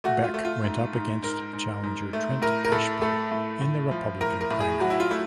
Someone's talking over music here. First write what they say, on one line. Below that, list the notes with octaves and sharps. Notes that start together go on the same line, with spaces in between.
Beck went up against challenger Trent Ashby in the Republican primary.
A3 F#4
F4
A3
F4
G#2
G#2
G#2 A#4
G#2
G#2
A3
A2 A#4
A#4
A2 A4
A3 A4
A2
A2
F3
A2 A#4
A#4
A2
G#4
F#3 F#4
E4
F4
A3 E4